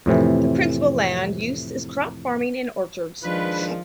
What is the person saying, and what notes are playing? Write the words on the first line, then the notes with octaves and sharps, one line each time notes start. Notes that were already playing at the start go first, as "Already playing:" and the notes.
The principal land use is crop farming and orchards.
F2 A2 C3 E3
D#3 F3 G#3 D4 B4